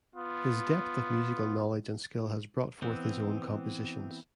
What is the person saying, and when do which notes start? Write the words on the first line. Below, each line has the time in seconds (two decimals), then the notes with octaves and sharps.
His depth of musical knowledge and skill has brought forth his own compositions.
0.15 B3 F4
2.82 E3 B3 C4